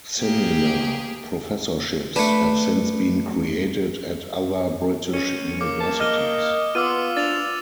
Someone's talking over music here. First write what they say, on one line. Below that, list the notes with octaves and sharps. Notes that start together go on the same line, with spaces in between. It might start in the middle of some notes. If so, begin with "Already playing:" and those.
Similar professorships have since been created at other British universities.
A#3 G4 G#4
A3 D4 B4
C#4 C#7
A#3 D6
A5
D#5 D6 F6 G7
B3 F4 D6 E6 D#7
D4 A6 F7